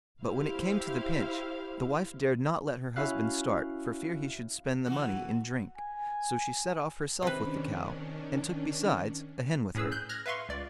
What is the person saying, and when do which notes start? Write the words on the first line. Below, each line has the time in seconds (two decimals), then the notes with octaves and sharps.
But when it came to the pinch, the wife dared not let her husband start for fear he should spend the money in drink, so she set off herself with the cow, and took besides a hen with her.
0.23 E4 G4 C5 F5
2.96 C#4 E4 F#4 E5 F5 F#6
4.86 E3 F#4
5.78 G#5
7.22 C3 D#3 C#4 D4 B4
9.75 A2 C#4 G#4 B4 E6
9.92 F#6 G6
10.09 F6 F#6 G#6 A#6
10.26 B4 E5 F5 C6 C#6
10.49 C#2 D5